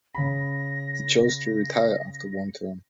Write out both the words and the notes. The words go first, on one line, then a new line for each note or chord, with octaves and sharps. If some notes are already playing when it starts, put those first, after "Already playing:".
He chose to retire after one term.
C#3 B5 A#6